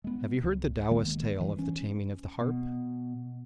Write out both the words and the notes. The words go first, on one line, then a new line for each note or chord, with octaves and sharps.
Have you heard the Taoist tale of the Taming of the Harp?
G#3 B3
C#2
D#3 G#3 A#3 B3
E3 G3
C#4
B2